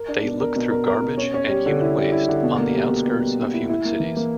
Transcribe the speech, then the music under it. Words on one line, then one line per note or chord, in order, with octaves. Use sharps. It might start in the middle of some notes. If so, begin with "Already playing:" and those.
They look through garbage and human waste on the outskirts of human cities.
Already playing: A#4
D4
B2
A#4
B2
A#4
A#4
B2
C#4
C#4
G3
D3
E4
G3
E4
D3
B2
A#3
G3
B2
B2
G3
A#3
E4
E4
A#3
E3
A#3